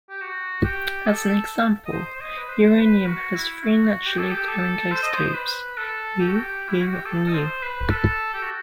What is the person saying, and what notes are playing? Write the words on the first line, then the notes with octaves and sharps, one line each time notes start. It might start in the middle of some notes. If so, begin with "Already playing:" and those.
As an example, uranium has three naturally occurring isotopes: U, U and U.
G4
F#4
G4
A4
D#5
C5
C5
D#5
B4
C5
B4
F#4
E4
F#4
G4
A4
G4
A4
C5
D#5
C5
B4
A4
G4
F#4
G4
E4
F#4
G4
A4
D#5
C5
B4
A4
G4
F#4